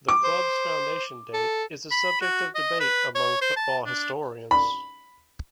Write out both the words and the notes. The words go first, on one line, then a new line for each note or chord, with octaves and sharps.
The club's foundation date is a subject of debate among football historians.
D6
C5
A4
B5
F#4
D#5
B4
C#5
C5
A5
D4
B5